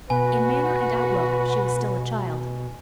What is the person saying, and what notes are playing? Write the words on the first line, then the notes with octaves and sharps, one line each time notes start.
In manner and outlook she was still a child.
B2 F#4 B4 G#5